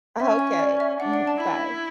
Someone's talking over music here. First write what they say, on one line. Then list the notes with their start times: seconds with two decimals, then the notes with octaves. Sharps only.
Okay, mhm, bye.
0.20 C#4 E5
0.39 G#5
0.59 D5
0.80 E5
1.00 D4 F#5
1.14 F#5
1.27 A5
1.40 E4 B5